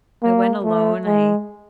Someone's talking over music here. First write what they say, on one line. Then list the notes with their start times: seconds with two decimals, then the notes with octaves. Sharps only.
I went alone. I
0.23 A#3
0.64 A3
1.06 G#3